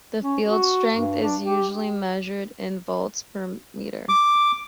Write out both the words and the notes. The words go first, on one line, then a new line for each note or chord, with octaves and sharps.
The field strength is usually measured in volts per meter.
C#4
F#4
G2
D4
G4
D6